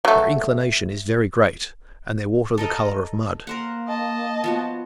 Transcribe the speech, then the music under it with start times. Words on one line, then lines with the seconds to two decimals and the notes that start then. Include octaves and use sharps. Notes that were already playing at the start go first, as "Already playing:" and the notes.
Their inclination is very great, and their water the colour of mud.
0.05 F#3 A3
2.58 A4 A#4 D#5
3.47 A#3 A#4 C5 F#5
3.88 D#5 A5
4.44 F3 B3 F#4